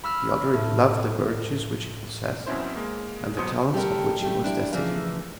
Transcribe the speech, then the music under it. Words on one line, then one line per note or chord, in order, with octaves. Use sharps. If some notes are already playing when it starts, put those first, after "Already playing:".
Theodoric loved the virtues which he possessed, and the talents of which he was destitute.
B5 E6 F6
A2
F#2 B2 C4 C#4 E4 C5
G#3 A#3
G1 B2 F#3 C5 D#6 C#7
G3 A3 A4 A#4
G3 A3
D4 E4 D5
C#3 E3 F3 A3 A#3